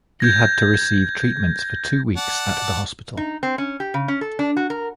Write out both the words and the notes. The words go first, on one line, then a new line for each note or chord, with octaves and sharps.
He had to receive treatments for two weeks at the hospital.
G6 G#6 A#6
D5 F#5 A5
D#4
C4
C#4
G4
C#3
C#4
A4
D4
F#4
A#4